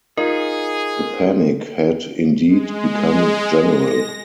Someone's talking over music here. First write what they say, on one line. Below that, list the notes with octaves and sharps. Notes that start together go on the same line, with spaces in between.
The panic had indeed become general.
D#4 F4 G#4 A#4
G#3
A#6